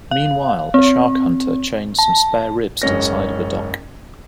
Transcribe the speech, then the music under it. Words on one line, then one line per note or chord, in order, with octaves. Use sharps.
Meanwhile, a shark hunter chains some spare ribs to the side of a dock.
F5
C4
A5
F#1 G#2 C#4 A#6